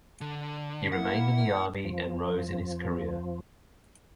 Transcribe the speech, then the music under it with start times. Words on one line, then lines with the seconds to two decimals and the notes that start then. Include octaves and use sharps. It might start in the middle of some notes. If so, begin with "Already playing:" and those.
He remained in the army and rose in his career.
0.21 D3
0.92 A#3 E4 F#5
1.85 F2 F3